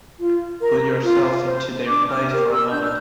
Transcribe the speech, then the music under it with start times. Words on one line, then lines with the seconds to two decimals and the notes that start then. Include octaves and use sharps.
Put yourself into their place for a moment.
0.18 F4
0.61 A#4
1.03 F4
1.45 C5
1.87 D4 D6
2.08 F6
2.28 G4 A#4 F6
2.50 E6
2.71 D4 G6
2.82 F6